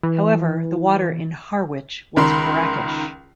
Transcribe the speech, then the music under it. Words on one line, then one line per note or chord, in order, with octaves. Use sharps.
However the water in Harwich was brackish.
E3
C#2 D#3 A#4 B5 C6